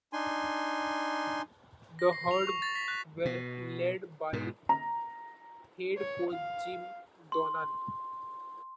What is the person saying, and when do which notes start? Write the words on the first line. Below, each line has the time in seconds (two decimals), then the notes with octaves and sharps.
The Herd were led by head coach Jim Donnan.
0.13 D4 D#4 G#5 C6
1.99 A#6
2.13 C7
2.31 F7
2.47 C#6
2.62 A6
2.75 B6
2.88 F#6
3.25 B2
4.33 G#2 B2
4.69 A#5
5.98 C#5
6.31 F5
7.32 C6